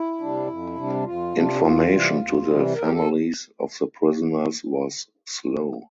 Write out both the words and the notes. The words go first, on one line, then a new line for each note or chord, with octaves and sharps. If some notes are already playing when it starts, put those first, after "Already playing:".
Information to the families of the prisoners was slow.
Already playing: E4
C3 G3 D4
F2
C3 G3 D4
F2 F4
C3 G3 D4
E2 F4
C3 E3 G3
E2
C3 E3 G3
E2 A#4
G4
A4